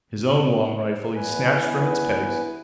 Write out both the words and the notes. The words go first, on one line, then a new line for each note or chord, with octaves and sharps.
His own long rifle he snatched from its pegs.
E2 B4 G#5